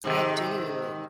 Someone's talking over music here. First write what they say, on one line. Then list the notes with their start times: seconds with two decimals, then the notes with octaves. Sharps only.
I do.
0.04 G#2 C3 D#3